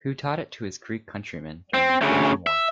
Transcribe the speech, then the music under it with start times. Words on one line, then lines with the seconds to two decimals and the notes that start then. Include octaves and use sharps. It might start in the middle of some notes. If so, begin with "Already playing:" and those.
Who taught it to his Greek countrymen during the Trojan War.
1.74 C4
2.01 D2 C#3
2.47 E5